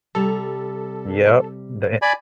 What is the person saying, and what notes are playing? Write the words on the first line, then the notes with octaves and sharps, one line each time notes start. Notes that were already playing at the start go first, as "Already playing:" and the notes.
Yep, the i
C3 G3 A4 A#5
D5 G#5 B5